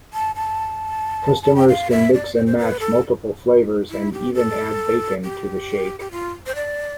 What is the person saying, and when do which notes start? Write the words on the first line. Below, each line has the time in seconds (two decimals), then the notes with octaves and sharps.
Customers can mix and match multiple flavors, and even add bacon to the shake.
0.14 A5
0.36 A5
1.43 A5
1.56 G5
1.68 F5
1.91 E5
2.13 D5
2.35 C5
2.47 C5
2.58 B4
2.80 A4
3.90 E4
4.13 G4
4.35 A4
5.24 G4
6.00 G4
6.11 F4
6.46 C5
6.55 D5